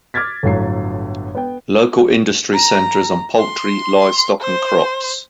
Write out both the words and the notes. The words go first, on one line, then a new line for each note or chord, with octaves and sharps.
Local industry centers on poultry, livestock and crops.
D6 F6 G#6 A6 B6
G1 A2 F#3 C7
B3 G5
A#5
C6
C5